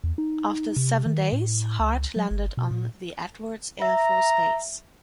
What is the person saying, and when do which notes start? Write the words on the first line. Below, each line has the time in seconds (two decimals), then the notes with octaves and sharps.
After seven days, Hart landed on the Edwards Air Force Base.
0.04 E2
0.18 D#4
0.76 C3
1.06 D#3
1.33 A2
1.80 C#2
2.16 F#3
2.31 G1
2.57 B2
2.71 A#2
3.82 E5 A#5